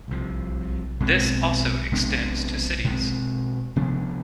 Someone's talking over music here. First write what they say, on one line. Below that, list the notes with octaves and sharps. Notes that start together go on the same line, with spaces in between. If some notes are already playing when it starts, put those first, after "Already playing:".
This also extends to cities.
C2 C3 F3
B2 G#3 C4
C3 G#3 B3 D4
B2 G#3 C4
C3 F3 B3 D4